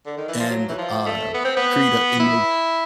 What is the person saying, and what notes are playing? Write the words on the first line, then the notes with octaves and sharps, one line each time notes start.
and, uh, create a image
D3
D#3
E3
F3
F#3
E3
F3
A3
B3
C4
B3
E4